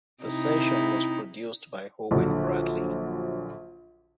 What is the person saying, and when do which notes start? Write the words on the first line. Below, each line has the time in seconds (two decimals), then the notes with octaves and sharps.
The session was produced by Owen Bradley.
0.24 C3 D#4 E4
2.11 A#1 D3 F#3